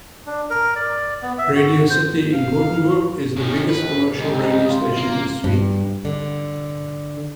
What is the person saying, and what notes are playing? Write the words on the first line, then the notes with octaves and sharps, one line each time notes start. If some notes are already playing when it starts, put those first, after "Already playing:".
Radio City in Gothenburg is the biggest commercial radio station in Sweden.
D4
A#4
D5
B3
E5
F#4
C5
F5
A2 D#3 F#3 C#4
D#2 C3 D#3 B4
C#2 G3 D#4
F#2 F4
A#3
G2
D3